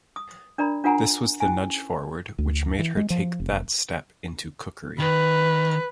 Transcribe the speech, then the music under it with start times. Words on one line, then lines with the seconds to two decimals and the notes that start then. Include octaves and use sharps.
This was the nudge forward which made her take that step into cookery.
0.16 D#6
0.58 D4 A#4 D5 A#5 B5
0.84 D4 F4 A#4 F#5 G#5 A#5
1.40 C#4 E4 G#5
2.38 D2
2.79 E3
2.97 G#3
3.10 F3
3.40 F1
5.00 D#3 B4